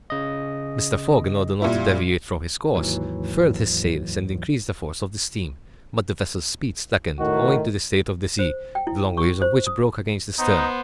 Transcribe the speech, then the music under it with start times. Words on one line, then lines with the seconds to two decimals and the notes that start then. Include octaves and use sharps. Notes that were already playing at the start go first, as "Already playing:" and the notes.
Mr. Fogg, in order not to deviate from his course, furled his sails and increased the force of the steam; but the vessel's speed slackened, owing to the state of the sea, the long waves of which broke against the stern.
0.10 C#3 D#5
1.62 A#2 G3 E4
2.75 D#2 G#2 E3 F#3
7.19 A2 D#3 F#4
8.39 C5
8.75 G5
8.87 E4
9.17 C#6
9.42 C5
9.67 D#6
10.38 B3 D#4 C5